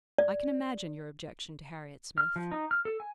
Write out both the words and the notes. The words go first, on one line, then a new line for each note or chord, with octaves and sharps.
I can imagine your objection to Harriet Smith.
D5
F6
F3
D#4
F6
A4
G#5